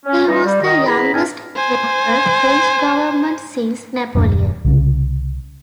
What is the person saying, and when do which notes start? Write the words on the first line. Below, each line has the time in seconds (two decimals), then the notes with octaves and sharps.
He was the youngest head of a French government since Napoleon.
0.06 C#4
0.27 E3 G3 C#4 D#4
0.44 G3
0.62 D#3 D#5
0.86 B3 E4 G#4 A#5 B5
1.13 E2 A2 C4 D4 A#4 G#5
1.55 C5 G#5
4.15 D#1 F#2 C4 D4
4.65 C2 C#3